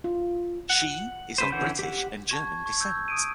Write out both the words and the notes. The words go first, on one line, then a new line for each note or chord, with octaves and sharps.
She is of British and German descent.
F4
F#5
C#3 B4 C5
D3 E3 C#4 F#5 G6
G4 F#5
A5 C#6 G#6
C#6
E6 G6 G#6
D#6 D7 D#7